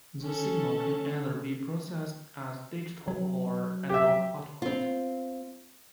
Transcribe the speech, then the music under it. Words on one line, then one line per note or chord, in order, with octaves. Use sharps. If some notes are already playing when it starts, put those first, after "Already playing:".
The signal can either be processed as digital or analog output.
C#4 A4
F#3
G4 E5
C4 F4